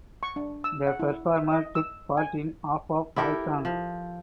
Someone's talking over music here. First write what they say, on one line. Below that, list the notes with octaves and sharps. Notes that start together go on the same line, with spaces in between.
The performer took part in half of all songs.
C#6
D4
E6
F#5
E4
E5
D#5
E6
G#5
E4 G4 A4 A#4
F3